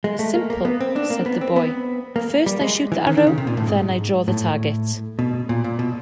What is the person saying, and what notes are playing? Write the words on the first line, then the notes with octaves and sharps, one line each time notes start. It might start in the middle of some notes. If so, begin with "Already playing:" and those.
"Simple", said the boy, "first I shoot the arrow, then I draw the target".
G#3
A3
A#3
A#3
B3
C4
D4
A#3
B3
C4
B3
A#3
G3
G#3
E3
D#3
D#3
C#3
C3
A#2
A2
G#2
A2
B2
A#2
A#2
B2